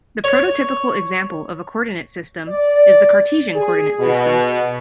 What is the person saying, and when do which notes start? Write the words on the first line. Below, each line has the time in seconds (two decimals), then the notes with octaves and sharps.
The prototypical example of a coordinate system is the Cartesian coordinate system.
0.24 C#5
2.49 D5
3.55 G#4
4.00 B2